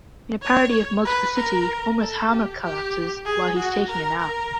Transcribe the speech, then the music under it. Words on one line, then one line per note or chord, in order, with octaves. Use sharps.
In a parody of "Multiplicity", Homer's hammock collapses while he is taking a nap.
C#5
B4
A#4
A4
G4
G4
G#4
F#4
A#4
A#4